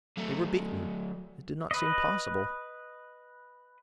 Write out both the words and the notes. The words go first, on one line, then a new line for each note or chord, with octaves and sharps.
They were beaten. It did not seem possible.
F#3 A3
B4 D#5